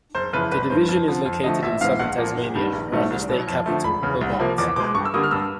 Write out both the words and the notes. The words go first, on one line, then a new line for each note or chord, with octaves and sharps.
The division is located in southern Tasmania around the state capital, Hobart.
F#1 C5
F2 C#3 E3 B4
G1 B4
G2 D#3 C5
F2
D3 F3
F2
D3 F3 A3 D#5
A1 E5
G#2 E3 F5
A#1 F#5
A#2 F3 A#3
G1
G2 D#3 G3
A#1
G#2 D#3 F#3 A3
C2
B2 F#3
F2
D3 F3 A3
E1 B5
E2 C#3
C2
C3 F3 A#3
E2 D6
B2 G#3 D6
G2 C#6
E6
D3 G3 A#3 D#6
F6
G2 E6